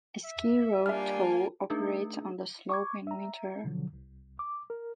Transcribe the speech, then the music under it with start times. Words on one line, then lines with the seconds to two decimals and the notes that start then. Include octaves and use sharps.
A ski rope tow operates on the slope in winter.
0.24 E5
0.86 G3 A#3 D4 F4 E5 G#5 F6
1.70 A3 D4 D#4 G#4
2.69 C#6 D6 G#6
3.07 E5 A#5
3.64 B2 D3 F3 F#3
3.93 C2
4.39 D6
4.70 A#4